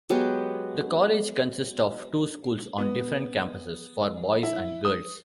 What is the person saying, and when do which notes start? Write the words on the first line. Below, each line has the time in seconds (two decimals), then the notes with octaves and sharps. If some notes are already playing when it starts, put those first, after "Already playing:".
The college consists of two schools on different campuses for boys and girls.
0.10 F#3 G#3 B3 G4
2.78 B3
4.43 E4
4.85 D#6